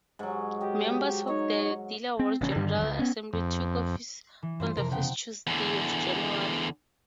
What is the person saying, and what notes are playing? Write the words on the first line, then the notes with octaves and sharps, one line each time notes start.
Members of the Delaware General Assembly took office on the first Tuesday of January.
G#2 F#3
G4 D#5
D#4 C#5
C4
A1 C#3 C#4
G2 D3 D#3 G3
C#2
B3 C#4
F2
E3
G2 E3 F4 C5
F2 C3 A#4
C#3 B3 F#5 G5
E2 D3